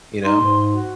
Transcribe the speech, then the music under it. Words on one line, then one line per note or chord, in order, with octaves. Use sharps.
you know,
D#4 C6
G#2
F#4